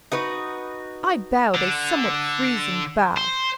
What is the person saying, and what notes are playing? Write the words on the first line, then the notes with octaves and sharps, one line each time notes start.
I bowed a somewhat, freezing bow.
D#4 F#4 B4
D3
C5